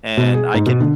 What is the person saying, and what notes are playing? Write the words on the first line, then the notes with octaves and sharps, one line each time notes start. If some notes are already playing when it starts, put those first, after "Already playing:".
And I can
B2
G#4
G#2
B2
D3